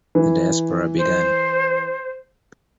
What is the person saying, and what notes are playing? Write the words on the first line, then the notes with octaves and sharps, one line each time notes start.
The diaspora began.
E3
C5